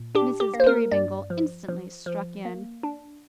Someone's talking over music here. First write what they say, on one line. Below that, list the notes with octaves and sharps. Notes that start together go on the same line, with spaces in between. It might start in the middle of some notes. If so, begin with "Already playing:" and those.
Mrs. Peerybingle instantly struck in.
Already playing: A#2
D4 G4
G4
A#3
C5
A#4
G2 D5
F3
F3
F3
A#3
D4